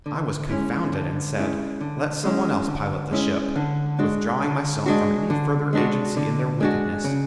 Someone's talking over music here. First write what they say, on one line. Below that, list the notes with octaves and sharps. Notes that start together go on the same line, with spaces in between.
I was confounded and said, 'Let some one else pilot the ship;' withdrawing myself from any further agency in their wickedness.
D3
G#3 C#4 E4
D3
G#3 C#4 E4
D3
G#3 C#4 E4
D3
G#3 C#4 E4
D3
G#3 D4 F#4
D3
G#3 D4 F#4
D3
G#3 D4 F#4
D3
G#3 D4 F#4
C#3